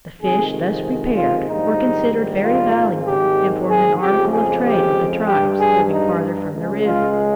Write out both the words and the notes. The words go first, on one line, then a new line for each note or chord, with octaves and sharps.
The fish thus prepared were considered very valuable and formed an article of trade with the tribes living farther from the river.
F2 C3 D#3 G#3 G#4
F4
A#1 G#2 D#3 G3 D#4
F4
G#1 G#2 D#3 G#3
G4
G#4
F2 C#3 F3 G#3 G4
G#4
G4
G2 G3 G4
G#4
D#4
C#2 C#3 G#3
F4